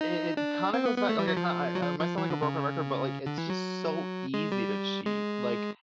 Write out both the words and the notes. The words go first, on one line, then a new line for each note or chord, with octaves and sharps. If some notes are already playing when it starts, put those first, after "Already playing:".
it it kinda goes back okay, ki I I might sound like a broken record, but, like, it's just so easy to cheat, like,
D#4
D4
C4
B3
B3
A3
G3
F#3
F3
F#3
F3
F3
E3
D3
C#3
D3
E3
F#3
G#3
G3
G#3